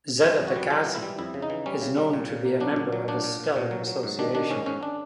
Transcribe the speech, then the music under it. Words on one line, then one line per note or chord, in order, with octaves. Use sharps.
Zeta Pegasi is not known to be a member of a stellar association.
G3 C5
F2
F#4
G3
G3 F4
E3
E4
G3
F2 E4
C#3
D#4
E3
G3 C#4
C#3
G3
A#2
A#2
A#3
F#3 D4
A#2
F#3
A#2 D4
A#2
A#2
A#2
F#3
F#3
G#2
D#3 D4
D#3 D4
G#2 C#4
G#2 C#4
D4